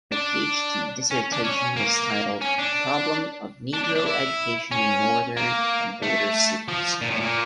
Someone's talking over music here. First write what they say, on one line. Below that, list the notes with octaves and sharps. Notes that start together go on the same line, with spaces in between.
Her PhD dissertation was titled "Problem of Negro Education in Northern and Border Cities".
D4
C#4
D4
C#4
A#3
C#4
D4
D4
D4
D4
E4
C#4
A#3
A3
F3
A#2
A2
A#2